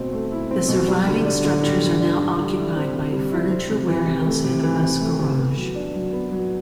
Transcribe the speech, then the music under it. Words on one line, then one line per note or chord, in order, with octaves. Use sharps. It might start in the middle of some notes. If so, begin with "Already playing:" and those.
The surviving structures are now occupied by a furniture warehouse and a bus garage.
Already playing: B2 A3 C4
A3
E4
C4
B2
G3
D3
D4
D3
G3
D3
D4
D3
G3
E4
C4
C3
G3
E4
C4
C3
E3
C3
A3
C3
E3
C3
A3
C3
B3
F#3
D4
F#3
B3
F#3